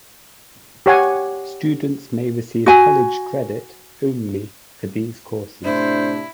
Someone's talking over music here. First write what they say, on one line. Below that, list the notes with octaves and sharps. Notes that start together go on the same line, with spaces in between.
Students may receive college credit only for these courses.
G4 C#5 F#5 G#5
F#4 G#5
A2 C3 D4 E4 C5